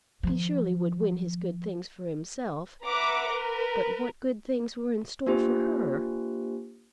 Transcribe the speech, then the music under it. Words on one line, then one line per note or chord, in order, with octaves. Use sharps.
He surely would win his good things for himself. But what good things were in store for her?
D#3 F3
B4 E5 F#5 A#5 D6
A#4 B4
A#3 D4 F4 G4 C5